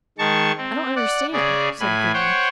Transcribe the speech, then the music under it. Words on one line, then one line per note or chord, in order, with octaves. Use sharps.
"I don't understand," said Graham.
D#3 G#3 A5 C#6
C4
D5 F#5
C#3 G#4 D5
A2 G#5 B5
C5 C#5 F#5 G5